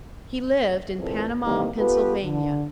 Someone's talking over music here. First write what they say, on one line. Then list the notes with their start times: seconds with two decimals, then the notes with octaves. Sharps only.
He lived in Panama, Pennsylvania.
0.99 A#2 E3 A#3 C4 G#4 A4
1.44 C3 D#3 E3 G3 A3 A#3
1.77 B3 F4 G4 A4 B4
2.23 D3